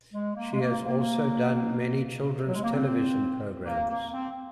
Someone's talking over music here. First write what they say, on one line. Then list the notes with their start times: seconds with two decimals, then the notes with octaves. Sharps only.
She has also done many children's television programs.
0.13 G#3
0.36 A#3
0.52 G#3
0.60 A#3
0.84 A#3
2.46 F#3
2.55 G#3
2.63 A#3
2.72 C4
3.66 A#3
3.90 A#3
4.13 C4